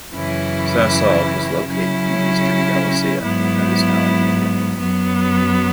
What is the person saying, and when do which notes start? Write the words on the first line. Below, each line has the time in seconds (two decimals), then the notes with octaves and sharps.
Sasov was located in Eastern Galicia, and is now in Ukraine.
0.11 F#2 C#3 E3 C#4 E4
1.66 C#3 F#3 C#4 E4
3.21 G#2 F#3 B3 E4
4.77 F#2 F#3 B3